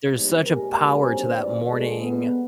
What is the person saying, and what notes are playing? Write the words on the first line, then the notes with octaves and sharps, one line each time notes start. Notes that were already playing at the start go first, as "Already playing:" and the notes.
there's such a power to that morning
C3 F3 G3 G#3 B3 D#4
A#2 G#3 G4 G#4 A#4
D3 F#3 B3 C#4 G4 C5
A#2 E3 C#4 F#4 C#5 D5
D2 G#3 A#3 A4
B3